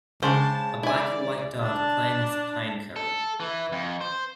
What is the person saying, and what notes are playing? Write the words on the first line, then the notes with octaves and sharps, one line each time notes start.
A black and white dog playing with a pine cone.
C#3 G#3 G4 C5 A5
E4 D5 G#5
D4 A5
A4
E3
F2
C5